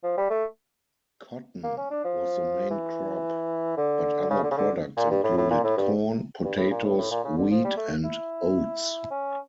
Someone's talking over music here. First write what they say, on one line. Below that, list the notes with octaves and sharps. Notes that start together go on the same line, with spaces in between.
Cotton was the main crop, but other products included corn, potatoes, wheat, and oats.
F3
G3
A3
A#3
C#4
D4
F3
E3
D3
C#3
D3
C#3
D3
A#2
G2
A2
A2
A#2
A2
G2
G2
A2
A#2
A2
A2
A#2
C#3
D3
F3
G3
A3
E4
C#4